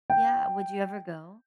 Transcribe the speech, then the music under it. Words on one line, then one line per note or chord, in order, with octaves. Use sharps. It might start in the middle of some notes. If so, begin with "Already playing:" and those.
Yeah, would you ever go?
G5